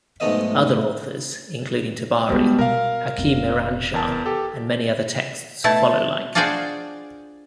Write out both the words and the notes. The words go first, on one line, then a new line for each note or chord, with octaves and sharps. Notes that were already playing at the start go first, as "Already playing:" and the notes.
Other authors, including Tabari, Hakim Iranshah and many other texts follow like.
B1 G#2 A3 B3 D#5 E5
B2 G3 G#3 B3
B2 A#4 F5
F1 C4
E2 A#4 A5
G4 A4
B2 A3 E4 A5
D4 F4 F#4 G#4 C5 D5